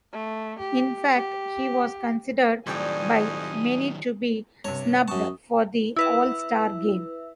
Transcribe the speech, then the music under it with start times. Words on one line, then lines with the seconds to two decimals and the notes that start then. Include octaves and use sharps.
In fact, he was considered by many to be snubbed for the All-Star game.
0.12 A3
0.59 G4
1.16 G4
2.67 F2 A2 D#3 F#3 G3 G5 G#5 D#6
4.65 G2 C3 C#5
5.08 F#2 A5 C#6 D#6
5.96 E4 B4 E5 E6